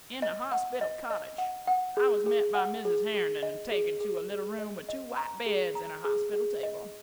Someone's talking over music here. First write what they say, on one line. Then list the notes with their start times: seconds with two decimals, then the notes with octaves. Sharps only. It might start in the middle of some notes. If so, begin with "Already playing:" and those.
In the hospital cottage I was met by Mrs. Herndon and taken to a little room with two white beds and a hospital table.
0.22 D#5
0.52 F#5
0.81 D#5
1.10 D#5
1.38 F#5
1.67 F#5
1.97 G#4
2.26 G#4
2.55 F#5
2.85 G#4
3.14 G#4
3.43 D#5
3.72 G#4
4.00 G#4
4.30 G#4
4.59 D#5
4.89 D#5
5.17 A#5
5.46 G#4
5.75 A#5
6.05 G#4
6.33 G#4
6.63 D#5